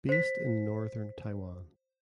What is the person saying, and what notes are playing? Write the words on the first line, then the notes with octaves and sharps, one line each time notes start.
Based in Northern Taiwan.
C5 B6